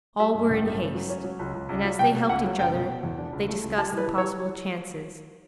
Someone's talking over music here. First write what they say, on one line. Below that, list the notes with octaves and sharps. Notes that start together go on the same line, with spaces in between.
All were in haste; and as they helped each other, they discussed the possible chances.
G3 E5
G2
A1
G2
C#3
F#3
C#4
F#3
C#2
C#2
C#2
F#3
B2 G5
B2
C#2 F#5
F#3
F#1 G5
B2
B2
E2
D4
C#2
A3
C#2
G3 A5
E3 B4
E3
C#5
G3